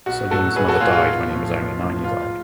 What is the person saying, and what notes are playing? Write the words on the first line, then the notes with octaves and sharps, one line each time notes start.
Salim's mother died when he was only nine years old.
B1 F#4
A2 F#3 F#4 A4
B1 G#4 B4
F#4 A4
A2 F#3 F4 G#4
F4
B1
A2 F3
B1
A2 F3
G#2 F4